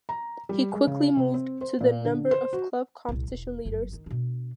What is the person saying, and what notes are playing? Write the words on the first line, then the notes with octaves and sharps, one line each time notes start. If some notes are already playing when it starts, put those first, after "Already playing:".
He quickly moved to the number of club competition leaders.
A#5
G3
G#3
C#3
C3
C4
C5
A#2
D3
C5
F#4
C2 A#2
E1
G1 F#2
D#3
B2 D4